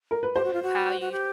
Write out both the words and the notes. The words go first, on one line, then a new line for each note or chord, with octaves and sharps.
W how you
A#4
B4
G4 C5
F#4
F4
F#4
F#4
G4